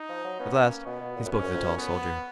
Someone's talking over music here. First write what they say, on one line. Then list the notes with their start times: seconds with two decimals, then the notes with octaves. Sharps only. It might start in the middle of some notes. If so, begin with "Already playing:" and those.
At last he spoke to the tall soldier.
Already playing: D#4
0.09 F3
0.25 F#3
0.40 B3 C#4
0.63 A#3
0.86 B2 B3
1.01 B2
1.16 A#2
1.25 F#2
1.32 G#2 C#4
1.43 F#2
1.54 F2
1.66 F#2
1.77 B3